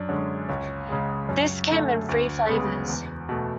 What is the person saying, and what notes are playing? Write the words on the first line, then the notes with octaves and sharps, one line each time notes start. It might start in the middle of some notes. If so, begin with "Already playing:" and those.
This came in three flavours.
Already playing: F#2 D4
D3 G#3 C#4
C#2 C#4
C#3 G#3
F#2 C#4
D3 A3
D2
C#3 G#3 B3
E2
B2 A3